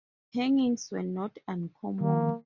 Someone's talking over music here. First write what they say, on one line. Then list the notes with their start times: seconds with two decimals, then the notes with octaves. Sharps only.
Hangings were not uncommon.
2.01 D#3 A#3